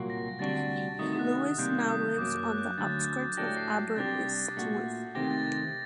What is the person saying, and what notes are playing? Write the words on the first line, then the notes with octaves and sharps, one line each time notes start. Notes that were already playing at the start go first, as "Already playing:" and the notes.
Lewis now lives on the outskirts of Aberystwyth.
Already playing: C2 A#2 F#3 A#3 F#4
A#6
D2 C3 G3 D4 F#4 A6
C3 D#3 A3 D#4 F#4 D#6
D#6
F#6
C3 D#3 G3 A#3 G6
D#6
F#2 F#3 A#3 D6
F#6
F#6
G6
D2 D3 F#3 A6
G6
A2 F#3 A3 D4 G4 A#6
C7
A#6
C3 G3 D4 G4 A6
A#2 A3 D4 F#4
C3 D#3 A3 C4 G4 A#6
A6
A#6
A#6